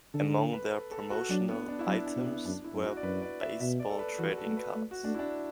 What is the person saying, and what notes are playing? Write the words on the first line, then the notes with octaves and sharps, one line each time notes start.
Among their promotional items were baseball trading cards.
D3 A4
B4
A4
A4
F#4
F#3 D4
B3
D4
E4
F#3 D4
D4
B2
B3
F#2 D4
E4
F#2
F#4
D5
F#2 B4
D5
E5
B2 E5
D5
A4
B4
E3 F#4
A4
A3
B4
A3
F#4
A3 D4
E4
D4